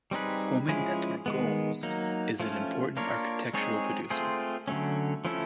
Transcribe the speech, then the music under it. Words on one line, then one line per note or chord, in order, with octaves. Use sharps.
Comendador Gomes is an important agricultural producer.
G3 C4 D#4 G#4 B4
F3 G#3 C#4 E4 G#4
D#3 G#3 B3
F#3 A#3 D#4
F3 A3 C#4 F4
A#3 D4 F4 A#4 C#5
G#3 C4 D#4 G#4 C#5
A3 C4 F4 G#4 C5
D3 F#3 A3 C#4
F3 A3 C#4 E4 A4